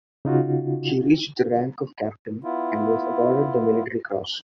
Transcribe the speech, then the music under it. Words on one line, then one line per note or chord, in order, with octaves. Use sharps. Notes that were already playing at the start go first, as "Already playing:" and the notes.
He reached the rank of Captain and was awarded the Military Cross.
C#3 D#4 F4 F#4
B3 E4 F4